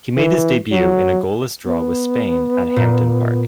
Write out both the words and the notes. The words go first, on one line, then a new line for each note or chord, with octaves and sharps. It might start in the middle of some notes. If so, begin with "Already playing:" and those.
He made his debut in a goalless draw with Spain at Hampden Park.
E3
F#3
B3
A#2